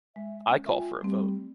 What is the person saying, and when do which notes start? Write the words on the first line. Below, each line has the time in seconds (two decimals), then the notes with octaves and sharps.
I call for a vote.
0.16 G#3 E5
0.49 C#4
0.66 F4 E5 G5 G#5
1.01 G3 A3 C4